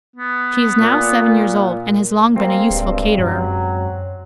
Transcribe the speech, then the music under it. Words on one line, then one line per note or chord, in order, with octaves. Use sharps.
She is now seven years old, and has long been a useful caterer.
B3
A#2
G#3 A#3 C4
D1 G2
F#2 F#3